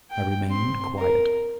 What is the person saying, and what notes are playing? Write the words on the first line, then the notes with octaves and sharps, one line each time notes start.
I remained quiet.
G5
C4 C6
A#4